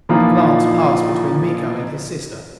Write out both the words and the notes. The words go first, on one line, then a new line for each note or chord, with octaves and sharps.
A glance passed between Miko and his sister.
A#2 E3 F3 A#3 D#4 F4